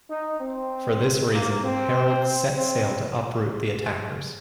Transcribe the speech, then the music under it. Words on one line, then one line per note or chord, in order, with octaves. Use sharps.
For this reason Harald set sail to uproot the attackers.
D#4
C4
A#3
C4
C4